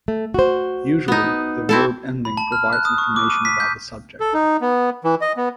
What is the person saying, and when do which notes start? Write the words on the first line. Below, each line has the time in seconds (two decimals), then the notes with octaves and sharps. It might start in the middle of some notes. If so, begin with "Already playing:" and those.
Usually, the verb ending provides information about the subject.
0.08 A3
0.34 F#4 C5
1.08 B3 D#4
1.69 C4 E4 A4
2.25 B5
2.37 A5
2.52 F6
2.73 F#6
2.85 D#6
2.98 C#6
3.16 D6
3.30 D#7
3.45 B6
3.60 G6
4.20 A4
4.34 D#4
4.61 B3
5.04 E3
5.21 D#5
5.37 B3